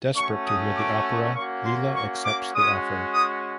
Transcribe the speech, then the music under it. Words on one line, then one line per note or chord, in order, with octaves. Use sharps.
Desperate to hear the opera, Leela accepts the offer.
A3 C#4 F#4 C#6
D#6
D6
A#3 C#4 F#4 C#6
C6
C#6
D6
G#3 C#4 F#4 D#6
D#6